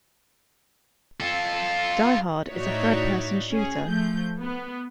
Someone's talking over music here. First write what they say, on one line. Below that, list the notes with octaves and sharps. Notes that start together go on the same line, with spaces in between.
"Die Hard" is a third-person shooter.
F4 A4
A2 D#4 F#4 C#5 D5 E5
C#4 G#4
F3 A3 G6
B3